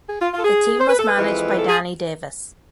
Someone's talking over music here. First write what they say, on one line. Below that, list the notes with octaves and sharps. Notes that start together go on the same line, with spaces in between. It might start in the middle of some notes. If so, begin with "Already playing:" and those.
The team was managed by Danny Davis.
G#4
F4
F4
A4
G#4
C5
B4
A4
B4
F2 E3 G#3
B4
A4
G#4